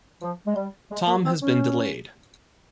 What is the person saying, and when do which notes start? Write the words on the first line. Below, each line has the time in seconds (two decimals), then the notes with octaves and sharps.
Tom has been delayed.
0.22 F3
0.47 G#3
0.56 G3
0.91 G#3
1.07 A#3
1.25 C4
1.42 C#4